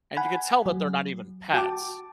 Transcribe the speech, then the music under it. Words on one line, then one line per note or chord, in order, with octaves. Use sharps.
And you could tell that they're not even pets.
F#5 G#5 B5
F#3
F#4 G5 A5 D6